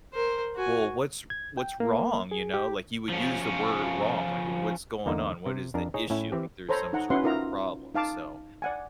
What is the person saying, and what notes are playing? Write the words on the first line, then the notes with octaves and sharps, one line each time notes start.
"Well, what's what's wrong?" You know? Like, you would use the word "wrong." Like, what's going on? What is the issue? Like, there's some sort of a problem, so
A#4 C5
F#4 G#5
G#6
G5
A#3
G#4
G4
F3 C#4
E2 D3 A#3 D#4
C3
F2 D4 A#4
D#4 G#4 C#5 D#5
A2 C#4 E4 E5
E3 C4 G4
A4 C5 C#5 A#5 B5
D#4 F#5 A#5
C#4 E4 F#4 B4 F#5 C6
D#4 F4 A#4 E5 A#5
D#4 F5 A5 D6
D5 F#5 G#5